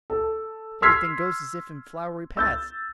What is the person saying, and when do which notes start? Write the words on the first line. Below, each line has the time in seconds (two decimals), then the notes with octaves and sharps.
"Everything goes as if in flowery paths."
0.10 A4
0.82 C6 E6 F6 G#6 B6 C7
2.37 E6 G6 A6